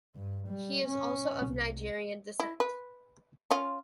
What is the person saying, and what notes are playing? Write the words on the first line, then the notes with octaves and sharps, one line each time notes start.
He is also of Nigerian descent.
G2
G3
C#4
C2
E4
B4
C#4 F4